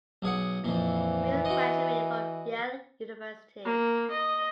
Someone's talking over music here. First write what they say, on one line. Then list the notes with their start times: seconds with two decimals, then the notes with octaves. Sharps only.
Weil graduated from Yale University.
0.22 B1 G#4 F#5
0.64 F2 A#2 E3
1.45 F#4 D#5
3.65 A#3
4.11 D#5